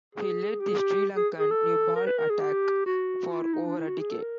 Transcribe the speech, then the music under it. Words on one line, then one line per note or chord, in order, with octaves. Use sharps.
He led the Sri Lankan new ball attack for over a decade.
G#4
G4
G#4
G4
G#4
G#4
A4
A#4
B4
A#4
G#4
G4
F#4
F4
E4
D#4
D4
E4
F#4
G#4
A4
A#4